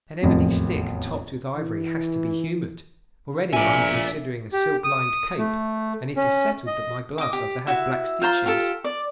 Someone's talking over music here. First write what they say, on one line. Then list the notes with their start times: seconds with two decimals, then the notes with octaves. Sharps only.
An ebony stick topped with ivory has to be humoured. Already I am considering a silk-lined cape, and it is settled that my gloves are to have black stitchings.
0.22 E1 A1 F2 D#3
1.57 E3
3.53 A#1 D5 E5 G#5
4.53 G4
4.84 D#6
5.38 A3
6.17 C#4
6.67 D#5
7.18 D#5 D6
7.33 G4
7.67 E4 F#4 E5
8.22 F4 C5 A#5 C6
8.46 F4 G4 A4
8.84 D5